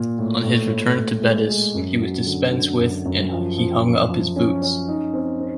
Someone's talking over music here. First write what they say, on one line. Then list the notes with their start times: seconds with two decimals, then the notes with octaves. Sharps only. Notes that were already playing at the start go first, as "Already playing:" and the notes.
On his return to Betis, he was dispensed with and he hung up his boots.
Already playing: A#2
0.18 A2
0.44 A2
0.70 A2
0.96 A2
1.22 G#3
1.49 G#3
1.75 F#2
2.01 F#3
2.26 D3
2.53 D3
2.79 F#2
3.06 F#2
3.31 F3
3.58 F3
3.83 F3
4.10 F3
4.36 C#4
4.62 C#4
4.88 D#4
5.14 C4
5.41 C4